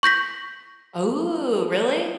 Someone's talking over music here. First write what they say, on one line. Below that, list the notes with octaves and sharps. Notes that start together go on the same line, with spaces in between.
Ooh, really?
C#6 G6 A#6 B6